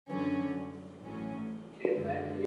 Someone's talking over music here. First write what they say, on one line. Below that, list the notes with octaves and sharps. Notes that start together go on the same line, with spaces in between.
Brisbane Water National Park is vulnerable to various environmental threats.
F#2 D3 F#3 C#4
A1 A2 F#3 C#4
F#2 D3 G#3